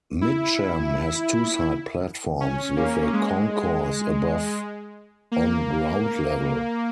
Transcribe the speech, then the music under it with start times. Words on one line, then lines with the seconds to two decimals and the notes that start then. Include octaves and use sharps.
Mitcham has two side platforms with a concourse above on ground level.
0.21 E4
2.41 C#4
2.76 A#3
3.13 G#3
5.32 A#3